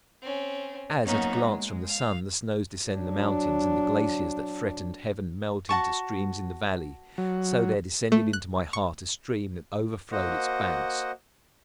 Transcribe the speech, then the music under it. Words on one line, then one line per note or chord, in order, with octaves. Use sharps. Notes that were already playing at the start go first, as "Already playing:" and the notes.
As at a glance from the sun the snows descend the mountains and the glaciers that threatened heaven melt into streams in the valley, so there descended into my heart a stream that overflowed its banks.
C4 C#4
F#3 A#3 B3 C#4 D#4 F#4
G#3
F5
F#3 D4
F#4 A5 C#6
F#3
A3
F#6
C#6
A#3 F#4 C5 D#5 F#5